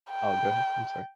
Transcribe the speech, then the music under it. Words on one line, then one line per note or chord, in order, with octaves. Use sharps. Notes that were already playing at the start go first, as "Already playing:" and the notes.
Oh, go ahead, I'm sorry.
G5